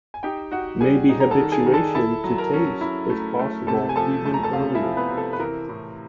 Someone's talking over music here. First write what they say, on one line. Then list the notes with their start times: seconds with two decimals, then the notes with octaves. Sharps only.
Maybe habituation to taste is possible even earlier.
0.14 G#5
0.23 D#4 G4 G5
0.52 D#4 F#4 F#5
0.81 G3 G#4 G#5
1.09 D#4
1.20 A#5
1.31 A4 A5
1.38 D#3
1.52 G#4 G#5
1.66 D#3
1.74 A4 A5
1.95 E4 A4 A5
2.24 F#3
2.38 A#4 A#5
2.53 C#4
2.81 E4
3.10 A3
3.39 A3
3.67 C3 A4 A5
3.89 G#5
3.96 F3 A4 A5
4.25 A3 A5
4.34 A#5
4.43 A4 A5
4.53 C3 F4 F5
4.75 E4 E5
4.83 F3
4.97 B3 B4
5.11 C3
5.18 A4
5.33 B4
5.39 E3 A#4
5.69 A2